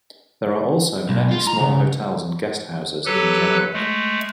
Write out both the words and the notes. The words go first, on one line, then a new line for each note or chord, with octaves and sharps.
There are also many small hotels and guest houses in Jemruk.
B1
F4
A#5
C#3
F#3 G4 A4 B4 F#6
G#3 A3